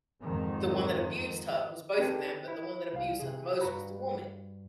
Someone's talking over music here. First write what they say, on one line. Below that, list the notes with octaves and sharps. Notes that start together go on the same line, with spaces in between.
the one that abused her was both of them, but the one that abused her the most was the woman,
F2 G#2 D#3
C4 D#4 G4 A4 B4 G5
E4
C2 F5
C3 G#4
G2 F#4 B4 A#5 B5